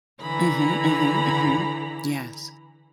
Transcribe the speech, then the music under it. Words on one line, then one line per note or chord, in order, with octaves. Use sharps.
Mhm, mhm, mhm. Yes.
D3 E3 A#5 B5